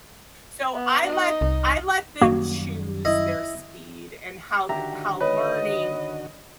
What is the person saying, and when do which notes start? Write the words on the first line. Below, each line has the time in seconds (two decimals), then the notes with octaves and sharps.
So, I let I let them choose their speed and how the how learning
0.75 B3
1.03 D#4
1.41 C2
2.21 F#2 D#3 G3 A#3 F#4
3.05 E4 D#5
4.69 D3 D#3 F#4 G4 E5 A#5
5.21 B4 C#5 D#5